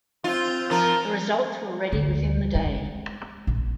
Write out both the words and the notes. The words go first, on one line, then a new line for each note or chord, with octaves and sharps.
The results were ready within the day.
C4 F4 G6 A6
F3 A#4
D2
G#3
A#1